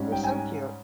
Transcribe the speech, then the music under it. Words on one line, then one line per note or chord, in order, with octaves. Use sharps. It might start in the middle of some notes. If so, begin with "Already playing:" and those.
They're so cute.
Already playing: G#2 G3 C#4
G5
G#5